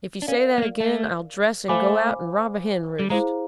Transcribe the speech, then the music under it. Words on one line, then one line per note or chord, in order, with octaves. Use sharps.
"If you say that again I'll dress and go out and rob a hen roost!"
D4
C#4 A#4 D5 F5
B3
A#3
A3
A3 C5 F5 G#5 B5 D6
G3
G#3 E4 G#4 C5 F5 A#5